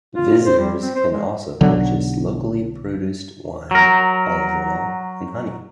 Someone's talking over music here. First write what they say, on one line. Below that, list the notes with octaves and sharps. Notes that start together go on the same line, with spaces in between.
Visitors can also purchase locally produced wine, olive oil and honey.
F4
C5
G3
C4
C5
G#3
B1 D3 F#3
F#3 A#4